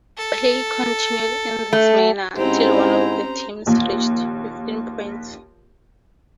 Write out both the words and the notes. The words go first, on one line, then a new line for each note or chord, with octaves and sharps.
Play continued in this manner until one of the teams reached fifteen points.
A4
A3
G#2 C4 C#4 E4 G4 C5 A#5
A#1 D#2